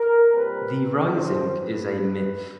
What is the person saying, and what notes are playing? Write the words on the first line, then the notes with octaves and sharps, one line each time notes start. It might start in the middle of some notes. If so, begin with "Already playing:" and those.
The rising is a myth.
Already playing: A#4
A#2 G3 C4 B4
A2 F3 A3 C4 C5
B4